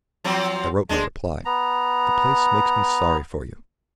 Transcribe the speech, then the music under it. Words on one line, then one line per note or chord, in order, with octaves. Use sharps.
I wrote my reply: "The place makes me sorry for you."
F3 F#3 C4
G#3 D4
B3 A#5